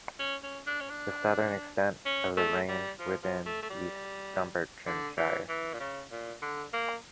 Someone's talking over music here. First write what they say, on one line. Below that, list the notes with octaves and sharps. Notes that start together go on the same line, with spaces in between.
The southern extent of the range fall within East Dunbartonshire.
C#4
C#4
D4
C#4
D4
C#4
A3
G3
F3
F3
A3
A3
G3
D3
E3
E3
A#2
C#3
A#2
D3
A#3